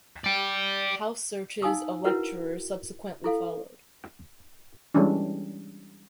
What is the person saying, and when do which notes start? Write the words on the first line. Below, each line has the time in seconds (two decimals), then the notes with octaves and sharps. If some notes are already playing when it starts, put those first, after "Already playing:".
House searches of lecturers subsequently followed.
0.24 D5 G5
1.62 D#4 F5 G#5 D#6 E6
2.05 E4 F#4 A#4 B4 F#5
3.24 E4 A4 F5
4.94 E3 G3 G#3 C#4 D4